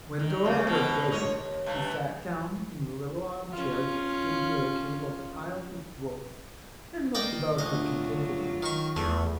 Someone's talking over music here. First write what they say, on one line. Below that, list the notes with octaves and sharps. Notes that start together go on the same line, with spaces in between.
When Dora was ready, she sat down in the little armchair that stood near a table piled with books, and looked about her contentedly.
D#3
F2 C#3
G#2 B2 D#3
D#2 C#5 D#5
G2 A3
C#4 F4
A#3 D5 D#5 G5
D2 F#3 F4 D#5
D#3 C#6
E2 A3